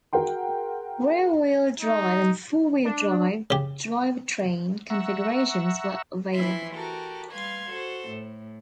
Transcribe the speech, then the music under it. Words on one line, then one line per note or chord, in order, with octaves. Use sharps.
Rear-wheel drive and four-wheel drive drivetrain configurations were available.
F#4 G#4 A#4 F#5 G5 C6
D#4
D4
C#3 G4
E5 F#5 A#5 C#6 E6
E3 F3 E4 E5 C6
F#4 G4 A4 A#4
G3 B4 F5 C6 G#6
F#4 A4 C5
A2